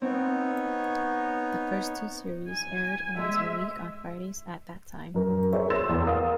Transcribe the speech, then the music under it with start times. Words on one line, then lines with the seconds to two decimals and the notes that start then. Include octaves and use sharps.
The first two series aired once a week on Fridays at that time.
0.02 B3 C4 D#4 C#5
2.50 G#5
3.16 G#3 E5
5.14 F#2 A#4
5.53 G#4 C5 C#5 E5
5.70 C6 E6 A6 E7
5.89 E2
6.06 A#4 F5 D#6